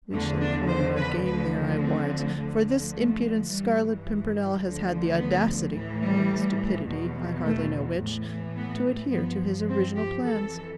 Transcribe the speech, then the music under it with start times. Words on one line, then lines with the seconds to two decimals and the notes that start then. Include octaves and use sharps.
We shall corner our game there, I'll warrant, for this impudent Scarlet Pimpernel has had the audacity--or the stupidity, I hardly know which--to adhere to his original plans.
0.13 E2 D3 F3 A3
0.41 D4
0.69 C5
0.97 B4
1.26 D2 D3 F3 B4
1.81 C4
2.38 D2 D3 F3
2.94 A3
3.50 G2 E3 G3
4.63 D2 D3 F3
5.19 B3
5.75 A2 E3
6.03 G3
6.88 E2 B2
7.44 A3
8.00 A2 E3
8.56 B3
9.12 G2 F3 B3
9.69 C4
9.96 G4
10.25 F2 E3 A4